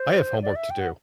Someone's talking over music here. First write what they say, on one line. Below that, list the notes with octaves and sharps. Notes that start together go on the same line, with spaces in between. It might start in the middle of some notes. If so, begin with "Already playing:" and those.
I have homework to do.
Already playing: C5
D5
E5
G5
F#5